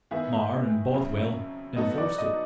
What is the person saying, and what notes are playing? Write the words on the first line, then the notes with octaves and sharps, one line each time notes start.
Mar and Bothwell enforced it.
D#3 G#3 B3 E4 G#4 E5
F2 C#3 F#3
F#3 B3 D#4 F#4 A4 D#5
D5
D#5